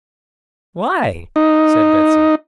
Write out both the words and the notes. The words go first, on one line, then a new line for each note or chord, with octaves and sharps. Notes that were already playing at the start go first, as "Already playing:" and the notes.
"Why?" said Betsy.
D#4